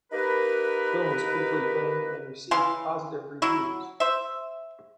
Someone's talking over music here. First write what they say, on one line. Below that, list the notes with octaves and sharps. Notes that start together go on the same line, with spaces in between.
The film was critically acclaimed and received positive reviews.
A#3 D#4 G4 A#4 B4
C#3 E3 F5 C6
F#3 E4 F#4
C5 E5